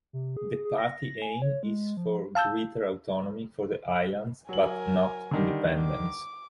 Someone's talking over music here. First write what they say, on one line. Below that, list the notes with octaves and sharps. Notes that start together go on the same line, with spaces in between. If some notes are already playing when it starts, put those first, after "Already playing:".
The party aim is for greater autonomy for the islands but not independence.
C3
G#4
G#4
A#6
G#5
C#5
G#3
F3
F5 A5 E6 G6
F#3 A#4 G#5 F#7
D3 D#3 G3
D6